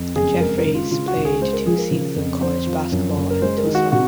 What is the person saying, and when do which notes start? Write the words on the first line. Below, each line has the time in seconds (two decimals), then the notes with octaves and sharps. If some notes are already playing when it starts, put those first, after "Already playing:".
Jeffries played two seasons of college basketball at Tulsa.
Already playing: F2
0.15 F#1 G#4
0.41 G#3 A#4
0.57 A#4
0.66 C#3
0.75 F4
0.91 C#3 F4
1.08 F#4
1.17 C#2
1.25 G#4
1.41 G#3 C5
1.53 A#4
1.66 F3 G#4
1.78 A#4
1.91 C#3
2.16 F2
2.42 F2 C5
2.67 F3
2.92 F#2
3.17 F#1
3.31 A#4
3.42 G#3 C5
3.58 A#4
3.67 D#3
3.75 F#4
3.92 C3 F#4